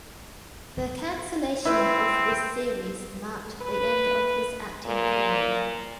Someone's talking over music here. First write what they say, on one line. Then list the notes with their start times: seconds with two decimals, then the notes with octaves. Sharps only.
The cancellation of this series marked the end of his acting career.
1.65 C4 E4 B4
3.62 B4
4.86 A#2